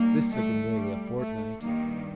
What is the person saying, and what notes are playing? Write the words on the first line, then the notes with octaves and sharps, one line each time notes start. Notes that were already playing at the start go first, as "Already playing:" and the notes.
This took him nearly a fortnight.
Already playing: D#2 D#3 G3 A#3
A3
G3
A3
G2 D#3 G3 A#3